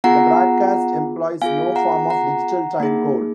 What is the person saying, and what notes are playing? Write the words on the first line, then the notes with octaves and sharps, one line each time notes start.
The broadcast employs no form of digital time code.
B3 F4 G#4 F#5 A#5
B3 F4 G#4 F5 G#5
F#5 A#5
F#5 A#5
A#3 D#4 G#4